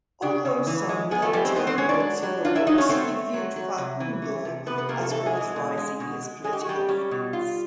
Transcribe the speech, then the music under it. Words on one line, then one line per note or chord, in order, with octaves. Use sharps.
Although Sarmiento wrote several books, he viewed "Facundo" as authorizing his political views.
C#3 D4 D5
C#3
E3
G#3
G#3 B3 G#4
A3 A4
G3 G#3 G4
C4 C5
B3 C4 C5
C4 C5
G#3 C#4 C#5
D4 D5
F#3
F#3
D4 F4 F5
E4 E5
F#3 D#4 D#5
C#4 C#5
A3 C4 C5
A3
F#3
F#3
C3
E3
A3
C3
C3 B3 B4
B3 B4
C3 A#3 A#4
A3 A4
E3 A3 A4
G#3 G#4
E3
G#3 G#4
B2
G#3
B2
G#3
G#3 G#4
G4
F#4
G3 G#3 G4
G3 C#4 G4
B2
F4